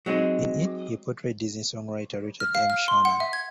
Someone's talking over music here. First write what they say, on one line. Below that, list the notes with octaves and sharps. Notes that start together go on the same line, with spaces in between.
In it, he portrayed Disney songwriter Richard M. Sherman.
F#3 G#3 C4 D#4
F6
F5
F6
C6
F#5
E5
G#6